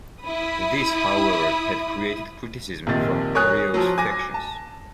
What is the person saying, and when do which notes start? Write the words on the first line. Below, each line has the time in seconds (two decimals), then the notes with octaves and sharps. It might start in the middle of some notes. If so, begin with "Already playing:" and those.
This however had created criticism from various factions.
0.24 E4 B5 D#6
2.87 A#1 C3 D#3 A6
3.35 A#4 C#5 G#5 D#6 F#6
3.74 F3 F#3
3.98 G#5 D6 A#6
4.34 A5